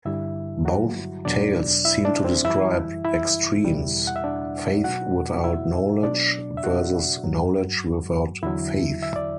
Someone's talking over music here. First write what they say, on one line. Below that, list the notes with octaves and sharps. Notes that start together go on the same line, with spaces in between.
Both tales seem to describe extremes, faith without knowledge versus knowledge without faith.
G2 D3 G3 E4 E5
F#3 F#4
E2 B2 F#3 D4 D5
E4 E5
D4 D5
C4 C5
F#2 E3 G3 E4 E5
E4 E5
E2 B2 G3
F#5
E5
D4 D5
B2 F#3 F#4 F#5
E4 E5
B2 F#3 D4 D5
E5
F#4 F#5
G2 F#3
E2 D3 F#3 E4 E5
E5
D5